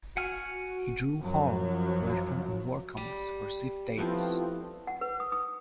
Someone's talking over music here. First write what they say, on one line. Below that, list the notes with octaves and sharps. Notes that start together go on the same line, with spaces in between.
He drew horror, Western and war comics for Ziff-Davis.
F#4 F#5 G#5 F6
F#2 F3 F#3
G3
F3 A3 B3 C4 E4
F#5
B4
D#6
D#6